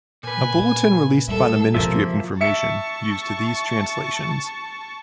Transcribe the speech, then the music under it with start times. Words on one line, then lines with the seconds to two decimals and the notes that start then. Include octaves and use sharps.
A bulletin released by the Ministry of Information used these translations.
0.23 A#2 B4 G#5
1.28 G3 A4 E5
1.74 F#2 C3 F3 A#3 E5
2.41 E5 A5 C#6 C#7